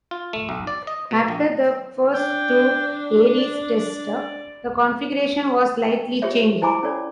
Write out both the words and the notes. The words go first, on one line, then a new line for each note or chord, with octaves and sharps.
After the first two Aries tests, the configuration was slightly changed.
F4
A3
B1
D5
D#5
B2
A#1
D4 G5
D5
G5
F4 G4 G#4 C5 C#5 E5
E4 C5 G#5 A#5 B5 D6
C#4 A4 C#5 D5